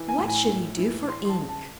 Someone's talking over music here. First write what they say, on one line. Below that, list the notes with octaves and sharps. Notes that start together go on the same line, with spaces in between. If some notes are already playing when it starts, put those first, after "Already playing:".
What should he do for ink?
Already playing: E3
G#5
A2
G#5
A2
E3
E3 C6
C6
A5
C#3
A5